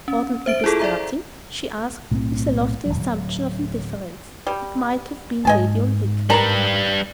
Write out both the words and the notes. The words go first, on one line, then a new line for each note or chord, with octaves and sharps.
"Oughtn't we be starting?" she asked, with a lofty assumption of indifference that might have been Lady Ulrica's.
C#4
C5 E5 D7
E4 F4 G#4 A4
D5 E5 A#5
B1 A2 G3 C4
D1 B1 F#3
G3
G#2 D#5 G#5 A5
G3 A#4 B4 A5 A#5